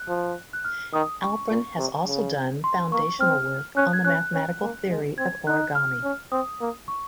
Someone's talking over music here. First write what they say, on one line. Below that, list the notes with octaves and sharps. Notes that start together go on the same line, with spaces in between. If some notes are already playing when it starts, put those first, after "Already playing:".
Alperin has also done foundational work on the mathematical theory of origami.
Already playing: F#6
F3
F#6
F6
D#3 D#6
C#6
A#2
C3
C#3
C6
A#3 C#6
C4 F6
C#4 F#6
G#6
C#4 F#6
C#4
A#3
G#3
C4 G#6
D#4 F#6
F6
C#4
C4 D#6
A#3
C#6